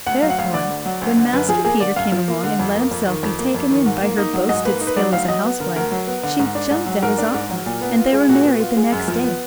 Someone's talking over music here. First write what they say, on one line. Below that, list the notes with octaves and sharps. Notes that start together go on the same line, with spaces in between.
Therefore, when Master Peter came along, and let himself be taken in by her boasted skill as a housewife, she jumped at his offer, and they were married the next day.
D2 F#5
F#3 F5
F#5
D2 F5
D3 D5
D2
F#3
D2
D3
F#2 B4
F3 G#4
A#3 G#4
D3 D5
F#2 F5
F3
A#3
D3
F2
A#3
F2
D#3
F2
A#3
F2
D#3
G#2
A#3
D#4
F#3
G#2 D#5
A#3 B4
D#4
B4
F#3 D5
D2 F5
F#3 D#5
B3
D3 A#4
D2 A#4
F#3
B3
D3
G#2
D4
G#2
F#3
G#2 A#4
D4
G#2
F#3
A#2
B3
F4
G#3
A#2 F#4
B3
F4
G#3
F#2
F3
B3